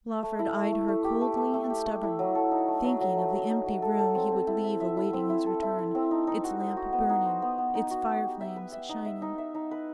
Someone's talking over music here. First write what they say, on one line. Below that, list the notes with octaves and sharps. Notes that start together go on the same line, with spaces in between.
Lawford eyed her coldly and stubbornly--thinking of the empty room he would leave awaiting his return, its lamp burning, its fire-flames shining.
A3
E4
A3
A3
A3
G4
A3
A3
A3
G4
A3
E4
F#3
A4
D#4
A3
F#3
F#3
A3
F#3
D#4
F#3
A4
A4
C4
C4
E4
E5
E5
E4
C4
E4
A4
E4
E4
C4
D#4
D#4
F#4
C5
F#4
B3
D#4
C5
B3
B3
D#4
F#4
D#4
G4
E5
B4
E5
D#4
E5
D#4
E5
D#4
B4